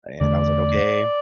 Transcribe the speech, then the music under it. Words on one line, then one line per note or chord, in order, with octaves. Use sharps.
and, I was, like, "Okay."
E2 D3 A3 D5